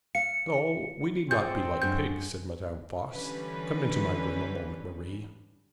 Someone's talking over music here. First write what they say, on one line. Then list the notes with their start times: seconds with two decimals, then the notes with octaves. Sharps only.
'No; we need not be like pigs,' said Madame Voss. 'Come into my room a moment, Marie.
0.15 F5 C#7
1.31 C4 F4 G#4 D5 G6
1.82 F#2 G#3 D4 G6
3.12 D3 E3 G3 C#4 B4